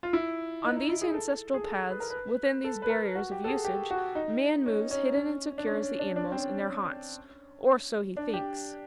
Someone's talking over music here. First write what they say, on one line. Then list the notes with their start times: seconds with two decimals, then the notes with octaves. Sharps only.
On these ancestral paths, within these barriers of usage, man moves hidden and secure as the animals in their haunts--or so he thinks.
0.03 F4
0.13 E4
0.64 D#4
0.76 D#4
0.89 E4
1.01 G#4
1.14 A4
1.54 G#4
1.64 A4
1.90 B4
2.00 A#4
2.10 B4
2.64 A4
2.82 B4
2.90 A#4
3.15 F#4
3.31 G4
3.44 A4
3.48 G#4
3.65 G4
3.90 F#4
4.15 D#4
4.66 C#4
4.91 C#4
5.15 C#4
5.58 D4
5.66 C#4
5.82 C#4
5.99 D4
6.16 D4
6.24 C#4
6.32 C4
6.40 C#4
6.66 C#4
8.17 D4
8.34 G4